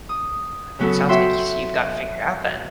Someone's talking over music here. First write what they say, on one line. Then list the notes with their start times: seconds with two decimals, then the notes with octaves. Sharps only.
I mean, it sounds like you see you've gotta figure out then.
0.09 D#6
0.79 C#3 F#3 B3 F#4 A4
1.09 F#4 C#5 E5 G5 C6